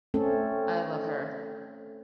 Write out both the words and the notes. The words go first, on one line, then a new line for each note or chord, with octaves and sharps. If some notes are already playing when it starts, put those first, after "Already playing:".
I love her.
A3 C4 C#4 A4